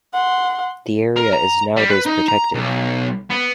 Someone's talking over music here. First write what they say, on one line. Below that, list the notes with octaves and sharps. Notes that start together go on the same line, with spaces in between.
The area is nowadays protected.
F#5 C6
A#4
A#5
G3
B4
D#4
A#5
B1
B3